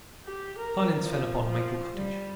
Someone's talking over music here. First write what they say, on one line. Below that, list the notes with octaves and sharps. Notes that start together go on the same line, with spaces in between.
Silence fell upon Maple Cottage.
G4
A#4
F3
F3
G3